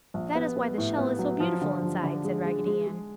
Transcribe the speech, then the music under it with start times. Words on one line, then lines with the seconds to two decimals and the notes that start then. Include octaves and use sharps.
"That is why the shell is so beautiful inside!" said Raggedy Ann.
0.14 A#1
0.35 B3
0.56 B3
0.78 A2
0.98 B3
1.19 F#3
1.40 F3
1.61 D3
1.82 F3
2.03 D3
2.24 G#3
2.45 G#3
2.66 G#3
2.87 G#3